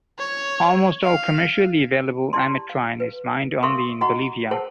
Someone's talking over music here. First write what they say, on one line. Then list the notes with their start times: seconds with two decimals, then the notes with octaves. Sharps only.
Almost all commercially available ametrine is mined only in Bolivia.
0.19 C#5
1.03 F5
2.33 E4 G4 D5 A5 C6
2.70 F5
3.00 B4
3.63 A#4 E5 F5 C6 C#6 D#6
4.01 F#4 D#5 F#5 A#5 C#6
4.51 G#4 A#4 C5 C#5 F#5 A5